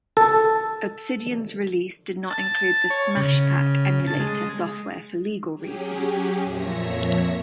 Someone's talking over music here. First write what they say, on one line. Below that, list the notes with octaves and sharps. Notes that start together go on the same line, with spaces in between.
Obsidian's release did not include the Smash Pack emulator software for legal reasons.
A4
A5
C#5
C#3
A5
G#3
F#3 C#4 G4 G#4
F2 A#2 F3 C#5 E5 A#6